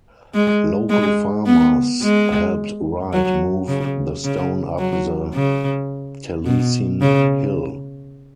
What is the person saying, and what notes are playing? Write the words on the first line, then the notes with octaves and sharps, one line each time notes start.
Local farmers helped Wright move the stone up the Taliesin hill.
G#3
G#3
B3
G#3
F#3
C#3
C#3
F#3
C#3
B2
C#3